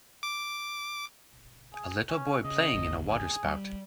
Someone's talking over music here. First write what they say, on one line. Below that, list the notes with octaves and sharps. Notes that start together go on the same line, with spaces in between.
A little boy playing in a water spout.
D6
G#4
C#4
C#3 D#5
G#1 D2
G#4
G3